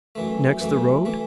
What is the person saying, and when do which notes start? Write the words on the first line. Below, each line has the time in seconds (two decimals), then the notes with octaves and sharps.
"Next the road?"
0.15 F#2 E3 A3
0.60 F#2 E3 A3
1.05 E3 A3